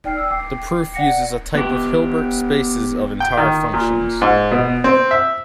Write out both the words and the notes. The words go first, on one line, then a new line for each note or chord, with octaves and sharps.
The proof uses a type of Hilbert spaces of entire functions.
D#4 D5 G5 F6 C7
E6
G5 D6 C7
D5 F#5 A#6 C#7
B3 G4
G5
D#3
A#2
G#2
B2
C4
E5